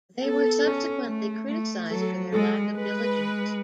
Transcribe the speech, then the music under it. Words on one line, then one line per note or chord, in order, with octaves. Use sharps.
They were subsequently criticized for their lack of diligence.
B3 A4
C#4
A3
A3
F#3 A4
G#3 A4
G#3 B4